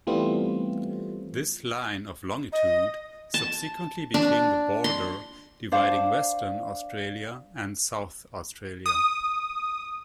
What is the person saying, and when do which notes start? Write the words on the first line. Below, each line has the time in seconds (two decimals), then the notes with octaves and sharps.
This line of longitude subsequently became the border dividing Western Australia and South Australia.
0.07 E3 G3 A3 B3 C4 F4
2.52 D#5
3.34 A5
4.14 D4
4.84 C6
5.72 D4 C5 F5
8.86 D#6